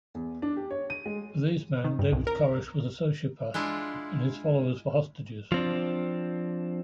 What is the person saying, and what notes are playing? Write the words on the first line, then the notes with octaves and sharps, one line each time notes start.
For these men, David Koresh was a sociopath, and his followers were hostages.
E2
D4
G4
C#5
D#7
G#3
D#3
G2
C2
A#4
G#3 D4 E4 F4
F3 C4 D4